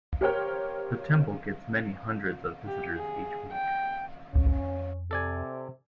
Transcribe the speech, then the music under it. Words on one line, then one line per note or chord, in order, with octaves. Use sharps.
The temple gets many hundreds of visitors each week.
G4 A#4 C5 C#5 G5 F6
G4
G#4
G5
F2 C#4
C3 A4 D5 G#5